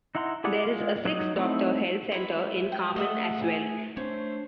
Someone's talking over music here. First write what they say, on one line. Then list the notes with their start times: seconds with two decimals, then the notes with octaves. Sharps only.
There is a six-doctor Health Centre in Carman as well.
0.15 D#4 E4 F#5 A#5 C6
0.44 E4 G4 G#4 D5 F#5
0.65 G#3 F4
1.05 F#3 D#4
1.37 A3 C4 D#4 E4
2.12 G#3 E4 C5 E5
2.72 G5
2.96 A3 G#4 D#5 E5 F#5 G5 D#6
3.42 G#5
3.97 A3 C#4 D4 C5 C#5